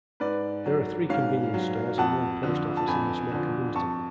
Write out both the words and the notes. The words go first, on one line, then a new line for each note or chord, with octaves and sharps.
There are three convenience stores and one post office in the small community.
G#2 B4 D5
F#3
G#2 C#5 F5
F#3
F2 F#5 A5
D3 F3
A5
F2 G#5 B5
D3 F3
F2 A5 C#6